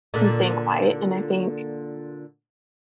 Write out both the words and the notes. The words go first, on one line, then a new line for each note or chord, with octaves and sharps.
and staying quiet, and I think,
A#2 D3